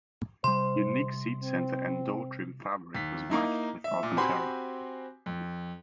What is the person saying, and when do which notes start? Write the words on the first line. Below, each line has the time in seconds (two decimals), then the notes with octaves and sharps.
Unique seat center and door trim fabric was matched with Alcantara.
0.44 C3 G3 C5 C6
1.43 C4
2.95 D#2 B6
3.30 A#3 D#4 E4
3.84 E5
4.03 A#2
4.17 C4 F#4 G4 G#5 B5 C6
5.26 F2